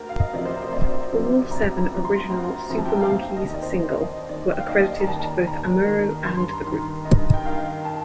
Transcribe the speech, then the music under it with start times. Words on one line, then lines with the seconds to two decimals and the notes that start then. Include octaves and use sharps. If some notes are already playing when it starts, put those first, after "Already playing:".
All seven original Super Monkey's single were accredited to both Amuro and the group.
Already playing: D2 A#4
0.09 F5
0.20 D#5
0.33 C3 F3 D5
0.45 C5
0.73 D2 D5
1.13 C3 F3
1.51 D2 A#5
1.78 A#5
1.90 C3 F3
2.05 C6
2.30 D2 A#5
2.70 C3 F3 A#5
2.78 A5
2.85 G5
2.93 A5
3.01 F5
3.10 D#2 G5
3.37 D#5
3.49 D#3 D5
3.62 C5
3.89 D#2 D#5
4.29 D#3 D5
4.52 G5
4.60 F5
4.68 D#2 D#5
4.88 D5
5.00 A#5
5.08 D#3 A5
5.27 A#5
5.47 D#2 A#5
5.87 D#3
6.26 G2 C6
6.53 A#5
6.66 D#3
7.05 G2 D#5
7.34 G5
7.45 D#3 F5
7.85 A5